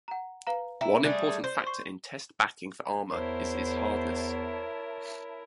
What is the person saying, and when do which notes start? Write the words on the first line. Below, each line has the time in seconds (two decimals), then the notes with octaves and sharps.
One important factor in test backing for armor is its hardness.
0.08 F#5 A#5
0.47 B4 F5 A#5
0.81 E4 G5 A#5
1.04 G3 A3 G#4 F#6
1.44 C5
1.67 C#6 C7
3.12 E2 E4 A#4 C5 C#5 E5 A5